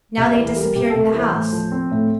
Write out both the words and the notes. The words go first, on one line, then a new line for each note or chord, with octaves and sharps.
Now they disappeared in the house.
C3 E5
E3 D5
A#4
G3
A#4
C3 G4
A4
C3
A#4
E3
C5
A2
F3
C4
A2